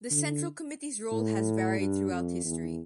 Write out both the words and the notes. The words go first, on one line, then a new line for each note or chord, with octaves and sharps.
The Central Committee's role has varied throughout history.
D3
A2
G2
F2
E2